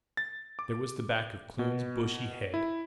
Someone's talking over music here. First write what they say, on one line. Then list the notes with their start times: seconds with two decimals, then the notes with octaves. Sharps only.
There was the back of Kloon's bushy head.
0.17 A6
0.59 D6
1.59 B2
2.54 E4